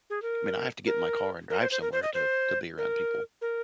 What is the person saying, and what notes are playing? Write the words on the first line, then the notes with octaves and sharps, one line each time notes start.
I mean, I have to get in my car and drive somewhere to to be around people.
G#4
A#4
A#4
A#4
C5
C5
A#4
C5
D#5
C5
A#4
A#4